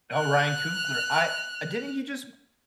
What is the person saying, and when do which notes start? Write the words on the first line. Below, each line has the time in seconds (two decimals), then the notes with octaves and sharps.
Oh, Ryan Coogler. I uh, didn't he just
0.14 F6 F#6